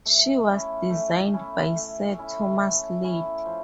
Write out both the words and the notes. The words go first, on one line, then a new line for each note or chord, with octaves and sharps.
She was designed by Sir Thomas Slade.
A3
C#4 E4
A3
C#4 E4
A3
C#4 E4
A3
C#4 E4
F3